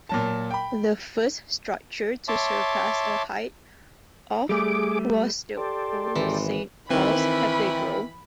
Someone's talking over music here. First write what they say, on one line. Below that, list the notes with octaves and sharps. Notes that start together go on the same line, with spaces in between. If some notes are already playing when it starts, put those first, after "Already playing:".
The first structure to surpass a height of was the Old Saint Paul's Cathedral.
A#2 F#3 A5
G5 B5
C#5 E5 A5 C6 D6
G3 A3 G#4 D6
G4 A4 D5 C6
G#1 E3
D#3 E3 C4 B5